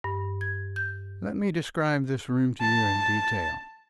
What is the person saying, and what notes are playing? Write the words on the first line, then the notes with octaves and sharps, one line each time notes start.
Let me describe this room to you in detail.
G2
G#6
G6
A5